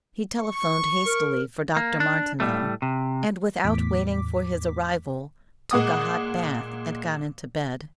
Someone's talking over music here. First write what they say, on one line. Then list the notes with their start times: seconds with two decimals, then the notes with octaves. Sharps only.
He telephoned hastily for Dr. Martineau and without waiting for his arrival took a hot bath and got into bed.
0.40 C#6
1.05 A#4
1.77 A#3
2.00 D4
2.40 A2 G3 A3
2.82 C3
3.64 E2 A2 D6 B6
5.71 A#2 G#3 F#5 D6 D#6